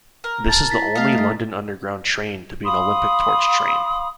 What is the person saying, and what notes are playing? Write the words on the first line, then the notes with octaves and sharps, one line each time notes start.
This is the only London Underground train to be an Olympic Torch train.
A#4
A5 A#5 A6
E4 A6 B6
A3 D#5 F5
F5 B5 C6 D#6